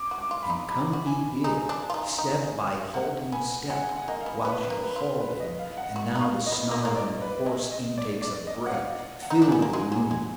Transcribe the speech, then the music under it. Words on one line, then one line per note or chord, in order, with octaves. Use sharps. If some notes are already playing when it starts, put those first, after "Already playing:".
And come he did, step by halting step, while she hauled him, and now the snarling hoarse intakes of breath filled the room.
Already playing: D6
F#4
D6
F4
B5
D#4
D#4 B5
F#4
G#5
D#4
D4
F4
D#4
D#4
A#3 F#5
B3 G#5
G#3 F#5
G#3
F#5
A#3 D#5
F5
B3
B3 B4
A#3
B4
F4
B4
D#5
F5
F#5
F#4
D#4
F5
D#5
B3
A#3 D#5
B3
A#3
D5
B4
G#3 D#5
D#5
D5
D5
D#5
F#5
F5
F#5
D#4
D4
B3 G#5
A#3
G#3
F#3
G#3